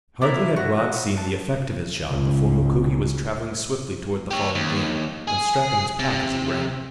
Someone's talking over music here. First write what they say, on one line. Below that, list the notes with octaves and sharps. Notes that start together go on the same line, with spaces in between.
Hardly had Rod seen the effect of his shot before Mukoki was traveling swiftly toward the fallen game, unstrapping his pack as he ran.
D#3 B3 D4 E4 A#4 D6
F4 E5
F#4
F#5
A5
C#2
G4 C#5
D#2
G#4
C3